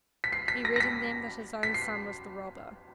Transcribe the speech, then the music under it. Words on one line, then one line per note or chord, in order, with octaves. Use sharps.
He read in them that his own son was the robber.
B6
C7
B6
A#6
A#6
B6
B6
C7